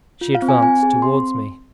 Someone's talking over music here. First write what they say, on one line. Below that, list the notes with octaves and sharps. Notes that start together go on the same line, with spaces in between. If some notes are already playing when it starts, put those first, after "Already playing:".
She advanced towards me.
F4
F5
C4
G#5
C4 G#5
G#4
C4 C6